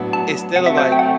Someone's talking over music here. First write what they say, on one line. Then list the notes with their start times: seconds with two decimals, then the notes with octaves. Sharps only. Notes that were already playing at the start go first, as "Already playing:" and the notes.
instead of, like,
Already playing: A2 F#3 B3 D4
0.13 A5
0.56 C3 F#3 A3 F#5
0.66 E5
0.77 C5
0.92 G5
0.99 F#5